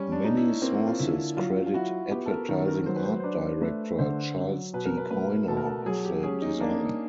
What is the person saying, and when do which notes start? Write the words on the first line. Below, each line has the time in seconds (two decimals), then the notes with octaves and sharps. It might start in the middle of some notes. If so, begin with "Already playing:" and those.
Many sources credit advertising art director Charles T. Coiner with the design.
Already playing: G3 C#4
0.12 D4
0.25 D#4
0.37 E4
0.62 A#3 C4
0.87 F4
0.99 D3 E4
1.37 F#3 F4
1.66 F4
1.74 E4 F#4
2.11 B3 G4
2.26 A4
2.31 A#4
2.49 D#3 A#4
2.68 A#4
2.86 F#3 C5
2.96 B4
3.05 C5
3.20 C5
3.23 D4 B4
3.61 A3 B4
3.99 D3 C5
4.36 F#3
4.73 B2 B4
4.85 A#4
4.98 B4
5.11 A3 B4
5.48 B2 A4
5.57 A#4
5.66 A4
5.86 F#3 G#4
6.05 G4
6.23 C#4 G#4
6.42 D#4
6.60 A#3 D4